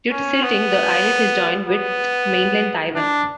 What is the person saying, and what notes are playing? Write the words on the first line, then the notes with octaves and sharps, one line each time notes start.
Due to silting, the islet has joined with mainland Taiwan.
C#4
B3
B3
D4